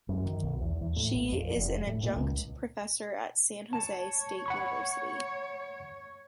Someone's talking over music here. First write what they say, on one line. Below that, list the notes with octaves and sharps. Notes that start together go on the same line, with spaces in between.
She is an adjunct professor at San Jose State University.
F#2
D#3
B1
E2
E2
A2
A#1
F2
F1
A2
A#2
C#2
C#5 A5
F#5 B5 C#6